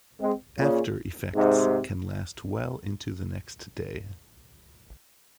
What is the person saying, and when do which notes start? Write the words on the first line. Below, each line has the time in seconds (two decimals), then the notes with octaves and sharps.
After effects can last well into the next day.
0.20 G#3 C4
0.58 A#2 C#3
1.34 G#2 C3